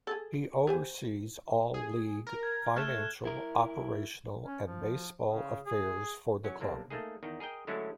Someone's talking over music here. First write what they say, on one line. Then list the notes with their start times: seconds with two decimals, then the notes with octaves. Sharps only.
He oversees all league, financial, operational and baseball affairs for the club.
0.07 G#4 A4
0.67 G4 C5 G#5
1.74 G#4
2.27 A#4
2.43 G#6
2.76 A3 F6 F#6 E7
3.25 E4 A#4
4.45 C#4
4.66 F3
5.28 C#3
5.66 G#4
6.44 F#3 C#4
6.60 B1 C3 A#3 D4
6.90 A3 A#3 D#4 G#4
7.23 E2 D#3 D#4
7.40 G#4 A#4 D#5 G5
7.67 D3 F#3 G#3 A3 C#4 E4